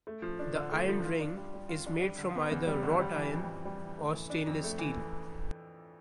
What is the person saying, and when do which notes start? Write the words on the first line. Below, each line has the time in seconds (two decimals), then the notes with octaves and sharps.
The Iron Ring is made from either wrought iron or stainless steel.
0.07 A3
0.22 F3
0.39 D4
0.55 D3
0.71 A3
0.88 F3
1.05 F4
1.20 D4
1.37 G3
1.54 G3
1.69 F4
1.86 D4
2.02 G3
2.18 D3
2.35 B3
2.51 E2
2.67 G3
2.83 D3
3.00 G3
3.16 E3
3.33 F2
3.50 F2
3.65 G3
3.82 E3
3.98 A3
4.15 E3
4.30 D4
4.47 F2
4.64 A3
4.79 E3